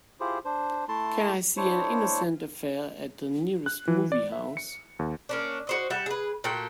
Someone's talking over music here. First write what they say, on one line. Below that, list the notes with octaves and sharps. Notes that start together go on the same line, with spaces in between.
Can I see An Innocent Affair at the nearest movie house.
E4 F4 G4 G#4 C5
D4 C5
A3 E4 A5 C6
D4 E4 C5 C#5
F#6
E3
D5
E5
C#7
D#2
A#3 C#4 D4
F#4 C5 D#5
G3 G4 E5 F#5
G#4 B4
A#2 A3 F#4 G5